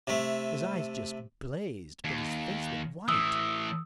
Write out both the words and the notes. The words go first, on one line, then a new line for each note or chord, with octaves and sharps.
His eyes just blazed, but his face went white.
C3 A3
D#2
A2 E3 D#6 E6